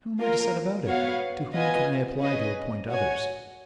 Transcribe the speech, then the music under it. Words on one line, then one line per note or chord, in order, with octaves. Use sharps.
How am I to set about it? To whom can I apply to appoint others?
A#3 F4 A#4
B3 F#4 C#5 F5
B3 F4 B4 D#5 G#5
C#4 G#4 B4 D#5
F#4 C#5 G#5